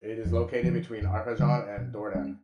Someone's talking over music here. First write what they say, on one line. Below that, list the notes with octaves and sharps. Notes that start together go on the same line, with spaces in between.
It is located between Arpajon and Dourdan.
F2
C#3 F3
F#2
D3 G3
B2
G#3 C#4